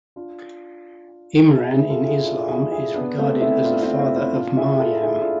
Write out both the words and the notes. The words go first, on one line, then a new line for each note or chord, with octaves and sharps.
Imran in Islam is regarded as the father of Maryam.
D4 F4
E4 G#4
E4 G#4
F4 A4
E4 G#4
D4 F4
E4 G#4
E4 G#4
B3 D4
A3 C4
C4 E4
D4 F4
C4 E4
C4 E4
C4 E4
D4 F4
E4 G#4
F4 A4
E4 G#4
D4 F4